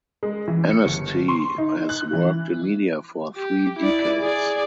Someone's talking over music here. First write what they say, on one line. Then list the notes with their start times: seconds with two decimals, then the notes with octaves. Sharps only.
Anstey has worked in media for three decades.
0.23 G#3
0.48 E3
0.71 C#7
0.86 G1
1.28 C6
1.58 D#4
1.89 F#6
2.13 E3
3.37 G4
3.79 E4 D5
4.21 G#4 D5